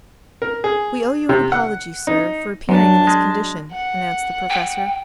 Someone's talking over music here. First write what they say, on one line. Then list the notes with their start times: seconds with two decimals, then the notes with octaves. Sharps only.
"We owe you an apology, sir, for appearing in this condition," announced the Professor.
0.42 A#4
0.64 G#4
1.29 C3
1.52 F#5
2.07 D#4
2.69 F#2 F#3 D4 A5
3.07 G#3
3.72 F#5
4.50 G5